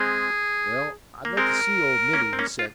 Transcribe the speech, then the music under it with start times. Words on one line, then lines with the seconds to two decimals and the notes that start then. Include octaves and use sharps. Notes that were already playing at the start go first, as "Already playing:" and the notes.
"Well, I 'd like to see old Minty," he said.
Already playing: G#3 C4 G#4
1.25 A#3
1.37 G#3 C4 A#4
2.13 A#3 C#4
2.33 C4
2.39 A#3 C#4
2.59 F4